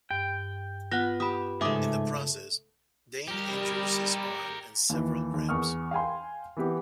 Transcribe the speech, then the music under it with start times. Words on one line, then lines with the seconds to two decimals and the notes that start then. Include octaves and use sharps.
In the process, Dain injures his arm and several ribs.
0.11 G2 G5
0.92 B3 F4 F#5 F#6 A#6
1.20 G4 B5 D#6
1.61 G#2 C#3 A3 E5 G#5 D6 D#6
3.28 G3 G4 A#4
4.90 D#2 E3
5.34 D#2
5.49 E2 C#6 D#6 F6
5.91 F5 G5 G#5 C6
6.57 E3 B3 G4